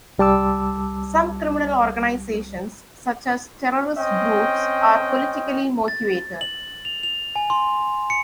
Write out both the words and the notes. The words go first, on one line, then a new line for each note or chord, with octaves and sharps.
Some criminal organizations, such as terrorist groups, are politically motivated.
C2 G3 A5 D6 E6
C4 C#4 D#5 G5
A6
F#7
F7
F7
G#5
C6
C#7